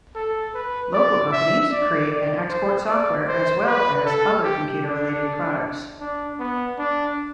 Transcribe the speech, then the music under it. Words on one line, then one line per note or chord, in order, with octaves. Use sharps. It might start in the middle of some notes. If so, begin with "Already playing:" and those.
Local companies create and export software as well as other computer-related products.
A4
B4
D5
E5
D5
D5
C5
D5
C5
B4
A4
G4
D4
D4
B3
D4